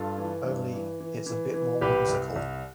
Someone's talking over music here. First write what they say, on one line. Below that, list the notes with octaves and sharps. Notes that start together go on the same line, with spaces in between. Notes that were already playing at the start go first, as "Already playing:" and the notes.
Only it's a bit more whimsical.
Already playing: G2 F4 A4
E3
G2
E3
E3
E3
E3
C2 G4 B4
C2
C2